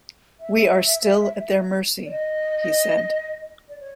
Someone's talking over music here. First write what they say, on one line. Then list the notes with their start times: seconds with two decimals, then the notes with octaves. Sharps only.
"We are still at their mercy," he said.
0.40 E5
2.06 D5
2.11 D#5
3.69 D5
3.80 C#5